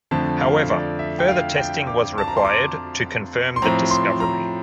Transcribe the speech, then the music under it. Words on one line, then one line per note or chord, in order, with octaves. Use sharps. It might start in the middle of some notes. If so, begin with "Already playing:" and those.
However, further testing was required to confirm the discovery.
F2 D3 F3 A3 A5
F5
D5
E5
G5
F5
G5
D6
A5
A#5
C6
D6
C6
A2 F3 C4 A#5
C6
A#5